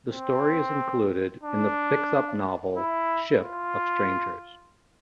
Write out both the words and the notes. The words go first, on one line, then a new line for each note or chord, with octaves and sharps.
The story is included in the fixup novel "Ship of Strangers".
C4
D4
E4
F4